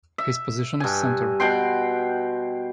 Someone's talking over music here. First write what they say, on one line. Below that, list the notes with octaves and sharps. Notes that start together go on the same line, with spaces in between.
His position is centre.
E5
G2 G#5
B2 F#5 G5 C6